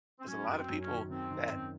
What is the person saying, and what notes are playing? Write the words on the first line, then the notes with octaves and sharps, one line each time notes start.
There's a lotta people that
C4
F#3 C#4
F#2
C4
F#2
C#4
D#3
D#3 C4
D#3
F#2